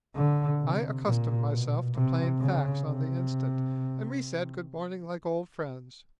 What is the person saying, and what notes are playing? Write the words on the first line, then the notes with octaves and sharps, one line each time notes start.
I accustomed myself to plain facts on the instant, and we said good-morning like old friends.
D3
C3
A#2
B2
C3
C#3
C3